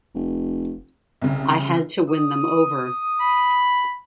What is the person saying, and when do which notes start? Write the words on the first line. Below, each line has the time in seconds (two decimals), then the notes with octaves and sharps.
I had to win them over.
0.15 F1
1.22 C2 C#3
2.09 D#6
3.20 B5